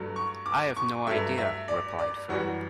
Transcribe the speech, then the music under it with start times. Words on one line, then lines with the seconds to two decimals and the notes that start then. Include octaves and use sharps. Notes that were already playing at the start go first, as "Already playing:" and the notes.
I have no idea, replied Philip.
Already playing: G2 F#3 A3
0.16 C#6
0.46 D6
0.76 C#6
1.07 G2 F#3 A3 E5
1.38 E5
1.68 D5
1.99 D5
2.29 F#2 E3 G3 F#4